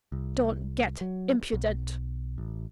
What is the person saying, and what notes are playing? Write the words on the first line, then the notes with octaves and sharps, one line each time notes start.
"Don't get impudent."
C2
F#3
B1
A1